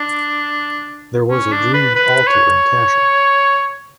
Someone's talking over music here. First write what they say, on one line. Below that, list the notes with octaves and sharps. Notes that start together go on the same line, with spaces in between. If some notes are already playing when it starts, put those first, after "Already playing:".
There was a druids altar in Cashel.
Already playing: D4
C#4
D4
B4
B4
C#5